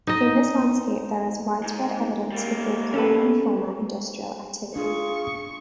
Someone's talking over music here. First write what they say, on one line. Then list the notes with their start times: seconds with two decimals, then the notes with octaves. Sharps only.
In this landscape there is widespread evidence of both current and former industrial activity.
0.07 D#4 D#5
1.64 G#2
2.32 G3 A#3
2.94 C#4 A4 B4
4.76 D4 F4 G#4 C#6